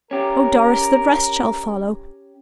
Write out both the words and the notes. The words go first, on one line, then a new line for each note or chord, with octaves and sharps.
Oh, Doris, the rest shall follow.
C#4 G4 A#4